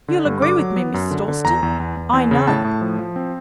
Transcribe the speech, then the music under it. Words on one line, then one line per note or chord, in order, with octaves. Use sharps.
You'll agree with me, Miss Dalstan, I know.
D3
G2
D3 D6
F#3
B3
F#2
D3
D3
E2 A#5
E2
E2
E2
E2
C#3
A2 A5
A2
F3
F3
C4